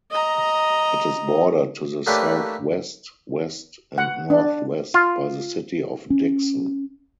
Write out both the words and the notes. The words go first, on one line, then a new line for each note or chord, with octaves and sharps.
It is bordered to the southwest, west, and northwest by the city of Dickson.
D#5 A#5
A3 A#3 D4 G4 B4 C#5
F#5
D4
F4
C#4